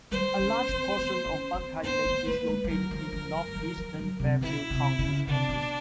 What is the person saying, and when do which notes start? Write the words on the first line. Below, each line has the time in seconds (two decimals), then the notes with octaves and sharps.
A large portion of Buckeye Lake is located in northeastern Fairfield County.
0.11 G3 C5
0.40 C#4
0.69 C4
0.98 B3
1.26 C#4
1.54 C4
1.83 B3 C5
2.05 B3
2.27 A#3 B4
2.47 G#3
2.64 F3
2.69 F#3 A#4
2.91 F3
3.12 F3
3.34 F3
3.48 F#3
3.56 F3
3.77 F3
3.94 F3
3.99 F#3
4.20 C3
4.41 B2 E4
4.70 C3
4.99 C#3
5.27 C3 D4
5.49 B2